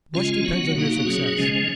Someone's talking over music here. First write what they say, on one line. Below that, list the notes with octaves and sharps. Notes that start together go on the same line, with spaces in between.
Much depends on your success.
C#3 G#3 C#4 F4
F#3 B3 F#4
B2 A#3 D#4 F#4
B2 F#3 C#4 G#4
C#3 F3 G#3 C#4